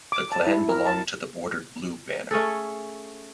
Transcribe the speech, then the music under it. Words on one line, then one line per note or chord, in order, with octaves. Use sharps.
The clan belonged to the Bordered Blue Banner.
D6
A5
E4
A#4
A5
A3 C#4 G#4 A4